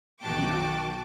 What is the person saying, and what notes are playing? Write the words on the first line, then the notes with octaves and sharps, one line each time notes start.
you know,
B1 D#3 F#4 G5 A5 D6